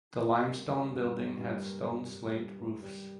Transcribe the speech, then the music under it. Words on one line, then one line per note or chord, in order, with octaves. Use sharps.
The limestone building had stone slate roofs.
A#3
G3
G3
G2
G2
G2
A#3
G2
G3
G2
G2
G3